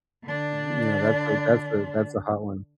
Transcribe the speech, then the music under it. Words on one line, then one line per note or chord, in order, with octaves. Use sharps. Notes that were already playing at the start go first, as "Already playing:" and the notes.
You know, that's a that's a that's a hot one.
D3 D4